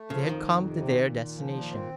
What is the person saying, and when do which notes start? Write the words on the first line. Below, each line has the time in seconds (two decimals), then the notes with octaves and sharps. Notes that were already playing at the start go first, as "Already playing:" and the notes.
They had come to their destination.
Already playing: A3
0.10 C#3 F3
0.29 F2 D#3
0.46 F2
0.64 C3
0.82 A#2
0.99 A#2
1.18 A#2
1.36 F3
1.53 A#2
1.71 C4